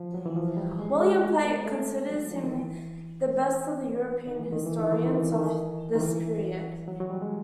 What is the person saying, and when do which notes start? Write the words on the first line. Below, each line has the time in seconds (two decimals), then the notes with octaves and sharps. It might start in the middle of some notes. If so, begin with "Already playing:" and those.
William Plate considers him the best of the European historians of this period.
Already playing: F3
0.14 F#3
0.26 E3
0.36 F3
0.57 G3
0.79 G#3
1.00 G#3
1.23 A3
1.44 B3
1.66 A3
2.10 F#3
2.31 F3
2.44 D#3
2.52 E3
4.27 D#3
4.39 E3
4.53 D#3
4.66 E3
4.79 D#3
4.92 E3
5.06 D#3
5.18 E3
5.32 D#3
5.95 D#3
6.00 E3
6.88 F#3
7.00 F#3
7.10 G3
7.22 G#3